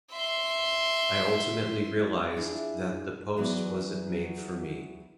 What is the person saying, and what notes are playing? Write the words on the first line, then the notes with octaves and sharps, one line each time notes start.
I ultimately realized that that post wasn’t made for me.
E5 C6
D4 E4 F4 G#4
E3 F#3 B3 B4 D5